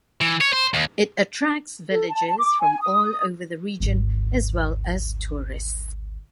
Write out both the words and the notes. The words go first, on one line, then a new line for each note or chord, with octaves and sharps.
It attracts villagers from all over the region as well as tourists.
E3
C#5
C5
D#2
A4
A5
D6
G#5
D#6
G#1 D2